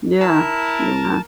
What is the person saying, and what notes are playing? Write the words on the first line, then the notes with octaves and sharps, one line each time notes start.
Yeah, yeah.
E4 A#4 A5